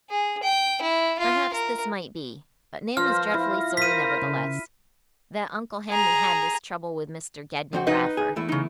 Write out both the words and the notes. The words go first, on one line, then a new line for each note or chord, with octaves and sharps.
Perhaps this might be; but Nan was dreadfully sorry, nevertheless, that Uncle Henry had this trouble with Mr. Gedney Raffer.
G#4
G5
E4
F4
A#4
F3 B4 C5 F5 F6 A#6
E4
A#4 C5 B6 D#7
C#3
G#4 A#5
F2 C4 F#4
D#4 B4 D#5
G#4
E2 A3 E4
C#3 D#4